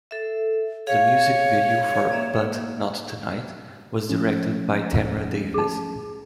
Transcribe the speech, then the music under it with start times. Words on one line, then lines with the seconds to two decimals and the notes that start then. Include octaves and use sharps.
The music video for "But Not Tonight" was directed by Tamra Davis.
0.11 A4 E5
0.87 G#4 C#5 F5
2.11 A#3 D5 E5
4.10 F3 A3 C#4
5.54 G#4 A5